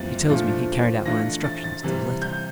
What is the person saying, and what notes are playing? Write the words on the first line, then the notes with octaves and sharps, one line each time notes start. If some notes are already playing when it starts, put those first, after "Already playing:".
He tells me he carried out my instructions to the letter.
Already playing: F2 E3 G3 A#3 A6
A#2 F3 A3 D4 F4
E3 A3 D4 F4 A#6
A6
A6
C3 E3 G3
G6